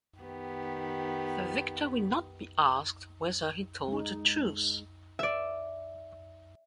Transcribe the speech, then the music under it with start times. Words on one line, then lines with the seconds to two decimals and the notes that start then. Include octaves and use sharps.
The victor will not be asked whether he told the truth.
0.20 D#3 B3 G4
3.88 G#3 D#4
5.19 D5 E5